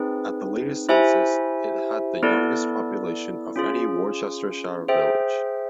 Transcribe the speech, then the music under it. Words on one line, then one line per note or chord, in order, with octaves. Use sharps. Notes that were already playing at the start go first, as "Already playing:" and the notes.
At the latest census, it had the youngest population of any Worcestershire village.
Already playing: C4 D#4 G#4 B4
E4 G4 C5 E5 G#5
B3 E4 A4 D5
C#4 F4 G#4
G#4 C5 E5 G5